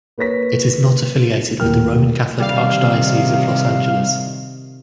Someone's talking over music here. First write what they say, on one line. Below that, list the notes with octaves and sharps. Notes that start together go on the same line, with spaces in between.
It is not affiliated with the Roman Catholic Archdiocese of Los Angeles.
A#3 B4 C#5 A#6 B6
D#1 A2 E3 A#3 G5 F6
C3 D#3 G3 F5